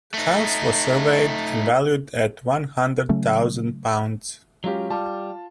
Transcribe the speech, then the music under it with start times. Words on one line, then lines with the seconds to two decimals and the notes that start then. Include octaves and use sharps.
The house was surveyed and valued at one hundred thousand pounds.
0.14 A3 D#4
3.09 C#3 F#3 A3 C#4
4.64 F#3 G#3 C#4 F4 G4
4.90 G3 F4 A5